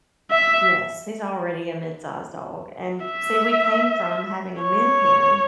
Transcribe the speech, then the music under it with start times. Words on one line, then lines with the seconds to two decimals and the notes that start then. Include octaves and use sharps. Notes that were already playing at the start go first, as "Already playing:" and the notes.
Yes, he's already a midsized dog. And, see, we came from having a Min Pin
0.31 E5
3.05 E5
4.63 C#5